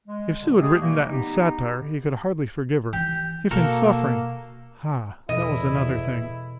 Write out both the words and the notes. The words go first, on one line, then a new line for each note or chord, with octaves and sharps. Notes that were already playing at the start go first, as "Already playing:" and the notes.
If Sue had written that in satire, he could hardly forgive her; if in suffering--ah, that was another thing!
G#3
A#2 D3 G3 G#3
G#3 A3 G4 G#4
B2 E3 G3 A3 A#3
B3 D#4 G4
D#3 E3 G4
B2 A#3 F#4 A4 A#4
E2 B2 E4 A4 D#5